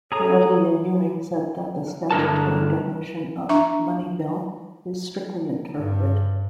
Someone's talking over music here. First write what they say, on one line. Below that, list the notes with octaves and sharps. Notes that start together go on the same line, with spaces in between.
Bradley and Ewing said that the statutory definition of Money Bill is "strictly interpreted".
G#4 A4 C#5 A#5 D#6
G2 D3 A#4 A5
D4 E5 A#5 C#6
G2